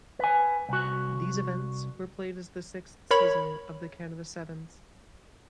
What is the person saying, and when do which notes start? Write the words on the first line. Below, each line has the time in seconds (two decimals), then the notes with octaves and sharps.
These events were played as the sixth season of the Canada Sevens.
0.19 B4 G#5
0.69 C2 F#4
3.11 A#4 C#5 B5